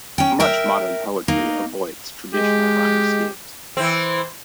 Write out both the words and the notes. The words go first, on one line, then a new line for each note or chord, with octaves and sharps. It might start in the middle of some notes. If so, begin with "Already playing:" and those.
Much modern poetry avoids traditional rhyme schemes.
C#4 G5
A#4 E5 G5
A#3 D#4
G#3 G4
E3 C4